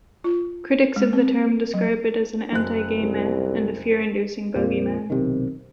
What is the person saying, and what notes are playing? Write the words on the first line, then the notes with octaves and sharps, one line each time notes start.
Critics of the term describe it as an anti-gay myth, and a fear-inducing bogeyman.
F4
G#3
C4
F#3
F#1 F#6
C2
F2 A#2 F3
B1 C3 D#3